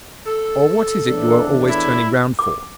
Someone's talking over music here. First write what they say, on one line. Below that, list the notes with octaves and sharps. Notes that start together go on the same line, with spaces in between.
'Or what is it you are always turning round for?'
A4
E2 A2 D4
E4
D6